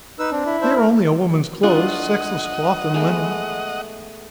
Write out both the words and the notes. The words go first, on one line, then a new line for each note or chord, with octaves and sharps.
They are only a woman's clothes--sexless cloth and linen...
D#4 B4 E6
C4 D4
E4
D4 C5 E5
A#4
A3 D4 F4 D#5 F#5
G#3 A3 B3